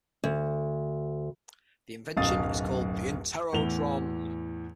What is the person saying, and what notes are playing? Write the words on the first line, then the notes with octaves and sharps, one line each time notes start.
The invention is called the Interrotron.
D2
D1 B1 F#2 F5 D#6 A6
E2 A2 E3 F7 G7